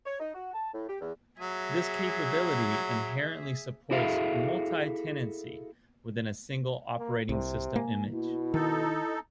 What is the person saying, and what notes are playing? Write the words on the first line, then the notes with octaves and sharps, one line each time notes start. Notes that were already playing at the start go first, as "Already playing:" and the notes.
This capability inherently supports multi-tenancy within a single operating system image.
C#5
D#4
F#4
A5
A2
G4
E2
F#3 G#4 E5
E4 F#4 G#4 A4 E5 F5
A#3
C2 C3
A#3 G#5
B2 E4
D#3 D#4 A4